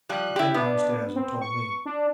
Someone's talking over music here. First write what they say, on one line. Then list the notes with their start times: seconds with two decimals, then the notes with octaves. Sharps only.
She came downstairs and told me.
0.09 F3 G3 F#6
0.36 E4 G4
0.54 B3 D4
1.15 C4
1.41 C#6
1.86 D4